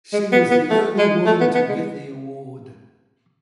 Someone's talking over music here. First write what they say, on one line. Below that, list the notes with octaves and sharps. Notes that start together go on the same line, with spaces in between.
She was the only woman to get the award.
G#3
B3
B3
A3
G#3
A3
B3
B3
G#3